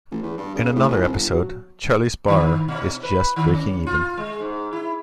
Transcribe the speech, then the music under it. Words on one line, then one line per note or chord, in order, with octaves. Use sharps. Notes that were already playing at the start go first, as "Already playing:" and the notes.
In another episode, Charlie's bar is just breaking even.
A1
E2
G2
C#3
A2
G1
C2
G1
F#3
D#3
B2
B4
D#3
C#4
F4
G#3
G#2
E4